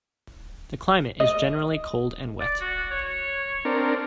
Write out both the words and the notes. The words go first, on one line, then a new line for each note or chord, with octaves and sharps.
The climate is generally cold and wet.
D#5
D5
F#4
C#5
C4 D4 A#4